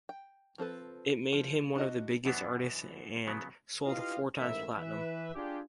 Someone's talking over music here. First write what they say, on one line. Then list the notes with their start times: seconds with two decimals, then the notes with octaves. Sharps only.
It made him one of the biggest artists, and sold four times platinum.
0.09 G5
0.58 F3 C4 A4 B4
1.33 F3
1.75 D4 E4 F#4 D#5
2.25 F#2 B2 E3 B3 D4
3.27 C#3 F3 F#3 B3
3.85 E4 F4 G4 B4 D#5 F5
4.38 A1 G#2 E4 A#4 E5
4.76 E3 B4 E5
5.35 D4 F4 G4 G#4